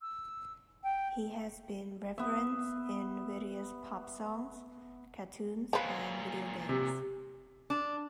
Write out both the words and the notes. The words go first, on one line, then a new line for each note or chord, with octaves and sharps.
He has been referenced in various pop songs, cartoons, and video games.
E6
G5
B3 E5
A#2 F3 F#3 B4
C3
D4